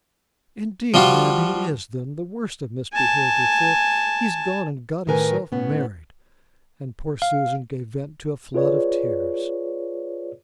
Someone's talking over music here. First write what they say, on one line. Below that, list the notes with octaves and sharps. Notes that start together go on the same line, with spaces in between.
'Indeed, ma'am, he is then; the worst of misbehaviour; for he's gone and got hisself married.' And poor Susan gave vent to a flood of tears.
F3 G3 F4 F#4
G#5 A5
A2 D#3 A3 A#4 B4 G#5
A2 B3 C#4
F5
F4 G#4 B4 C#5 D5